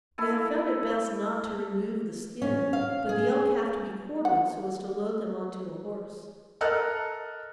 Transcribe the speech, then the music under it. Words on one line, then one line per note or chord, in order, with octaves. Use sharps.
We have found it best not to remove the skin, but the elk have to be quartered so as to load them on to a horse.
E4 A4 G#5
C#4
F5
G#4
F#5
A4 A#4 D#5 F6 F#6